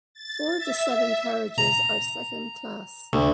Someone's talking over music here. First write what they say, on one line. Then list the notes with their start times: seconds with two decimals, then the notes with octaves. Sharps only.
Four of the seven carriages are second class.
0.14 A6
0.58 E5
1.58 A#5
3.13 D2